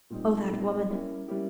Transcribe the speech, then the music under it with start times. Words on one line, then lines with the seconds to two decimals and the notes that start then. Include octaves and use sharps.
Oh, that woman!
0.10 A#2 G3 C4 D#4
0.50 A#2 G3 C4 D#4
0.88 G3 A#3 C#4 E4 G4
1.28 G3 A#3 C#4 E4 G4